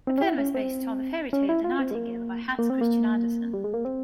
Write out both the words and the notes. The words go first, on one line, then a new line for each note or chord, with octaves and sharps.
The film is based on the fairy tale "The Nightingale" by Hans Christian Andersen.
C4
C#4
E4
C#4
C4
C#4
E4
F4
C4
G#3
A#3
A#3
C4
A#3
G3
G#3
A#3
C4